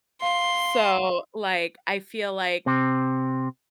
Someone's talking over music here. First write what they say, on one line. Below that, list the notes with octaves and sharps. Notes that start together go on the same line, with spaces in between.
so, like, I feel like
F5 C6
C3 C4